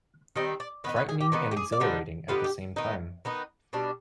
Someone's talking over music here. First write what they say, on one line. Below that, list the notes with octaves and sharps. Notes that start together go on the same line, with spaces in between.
Frightening and exhilarating at the same time.
D#3 G3 C4 D#4 D#5
D5
D#3 B3 D#4 B4
B4
G#4
G4
D#3 B3 D#4
G4
G#4
D5
D3 G3 B3 D#4 C5
D3 G3 B3 D#4 F4
G4
D#3 B3 D#4
D#3 B3 D#4
B2 G3 D4